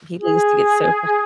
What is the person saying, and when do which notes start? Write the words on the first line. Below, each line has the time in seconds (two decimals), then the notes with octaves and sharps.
People used to get so frust
0.19 G#4